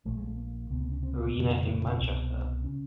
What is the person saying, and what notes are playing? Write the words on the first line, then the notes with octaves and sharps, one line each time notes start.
Arena in Manchester.
A#1 A#2 A3
G#3
A3
A#3
C#2 C3 B3
B3
C#4
C4
B3
B3
F1 F2 C#3 A#3
A#3
A#3
A#3
C4
C2 B2
C#3 C#4